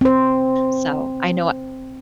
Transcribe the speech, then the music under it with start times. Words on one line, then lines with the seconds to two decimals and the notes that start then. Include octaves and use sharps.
so I know
0.01 C4 C5